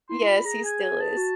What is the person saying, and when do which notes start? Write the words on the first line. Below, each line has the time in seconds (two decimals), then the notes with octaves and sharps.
Yes, he still is.
0.09 E4 C6
0.22 E4
0.27 F4 B5
0.45 G#4 A#5
0.64 G#5
0.81 G#5
1.00 A5
1.17 F#4